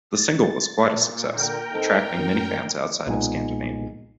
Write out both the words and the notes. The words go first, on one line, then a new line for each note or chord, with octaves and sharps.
The single was quite a success, attracting many fans outside of Scandinavia.
A6
A#2
D3 A#4 G5
C4 D#4 A4
F#2
B1 A#2 G#3 B3 D#4 G#5